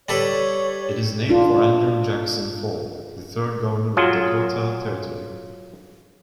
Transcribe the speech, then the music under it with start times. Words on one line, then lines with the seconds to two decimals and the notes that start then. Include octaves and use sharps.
It is named for Andrew Jackson Faulk, the third Governor of Dakota Territory.
0.09 G3 A4 B4 C#5
1.29 D4 F4
3.97 F#3 F4 G#4